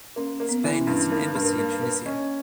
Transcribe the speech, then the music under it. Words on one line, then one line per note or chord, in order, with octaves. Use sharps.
Spain has an embassy in Tunisia.
A#3 C#4
A#3
B3
E3
C#4
G2
A#3 D#4
G2
A#4
A#3
A#3
C#4 D#5